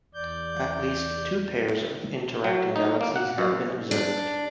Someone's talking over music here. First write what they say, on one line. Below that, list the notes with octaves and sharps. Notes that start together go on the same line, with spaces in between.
At least two pairs of interacting galaxies have been observed.
E2 D5 G6
F#3
D#4
A#3
F#5
F#2
D4